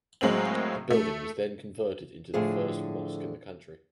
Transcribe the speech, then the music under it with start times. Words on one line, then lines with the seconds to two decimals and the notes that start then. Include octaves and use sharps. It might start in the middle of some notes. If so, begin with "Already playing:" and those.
The building was then converted into the first mosque in the country.
0.21 A2 F#3 G#3 A#3 C4 F#7
0.90 A3
2.34 A2 D3 F3 G#4